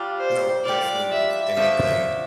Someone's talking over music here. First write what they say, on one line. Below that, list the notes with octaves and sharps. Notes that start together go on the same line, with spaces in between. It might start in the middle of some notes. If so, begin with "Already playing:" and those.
No, definitely with anything,
Already playing: G3 D4 F4
C5
G3 D4 F4 D5
E5
D3 F3 A3 D4 E5